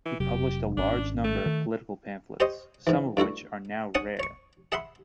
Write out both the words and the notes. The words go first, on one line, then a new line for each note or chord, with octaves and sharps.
He published a large number of political pamphlets, some of which are now rare.
E3
F1 C3 F#3 G4
G#1 C#3 C#4 D4
A3
D#3
G4 C5 C#5 D#5
G#2 E3
G2 A3 E4 F#4
C#4 C#5 F#5 D#6
C#5 C#6
G#4 E5 F#5 B5 C6